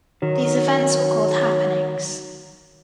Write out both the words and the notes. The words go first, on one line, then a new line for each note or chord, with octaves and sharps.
These events were called "happenings."...
D#3 F#3